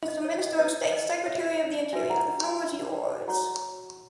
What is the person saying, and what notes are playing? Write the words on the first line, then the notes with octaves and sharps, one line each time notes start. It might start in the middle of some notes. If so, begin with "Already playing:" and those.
Mr. Minister of State, Secretary of the Interior, the floor is yours.
D#5
C#5
D#5
E4 B4 D#5
D#5
C#5 E5
F#4 B4 E5 G#5
F#5 A#5
G#5 B5
F#4 C#5 F#5 A#5